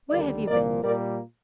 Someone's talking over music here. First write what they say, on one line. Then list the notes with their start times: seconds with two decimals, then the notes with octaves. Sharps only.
Where have you been?'
0.10 D#2 D3 G3 A#4 D5
0.47 C2 A#2 F3 A#3 A#4 D5
0.83 A#2 G3 A#3 A#4 D5